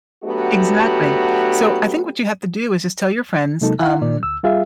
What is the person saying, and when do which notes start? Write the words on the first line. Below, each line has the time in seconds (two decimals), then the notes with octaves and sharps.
exactly. So, I think what you have to do is just tell your friends, um,
0.24 F#3 A3 B3 D4 F#4 G4
3.61 C3 F#3 G#3 A#3 D#4 A4
3.80 E4 F5 F#5
4.02 A#2 D5
4.23 D2 E6
4.43 G3 F4 G#4 E5 F5